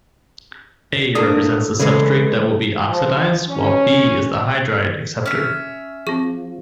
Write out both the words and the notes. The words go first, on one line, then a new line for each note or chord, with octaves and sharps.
A represents the substrate that will be oxidized, while B is the hydride acceptor.
A3 A#3 D4 D#6
C#3 E3 G#3 A4
F3
C#4
C#4 E5
F3 C4 G#4 C#6